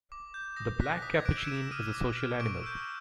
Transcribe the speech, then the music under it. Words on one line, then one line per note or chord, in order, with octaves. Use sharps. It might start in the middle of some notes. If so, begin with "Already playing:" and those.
The black capuchin is a social animal.
D6
G6
D#6 A#6
F#6 B6
D#6 B6
G#6
D6 F#6 D7
E6 E7
D6 E6 E7
D#6 F6 D#7
D6
F6
C#6 D6 D7
E6 G6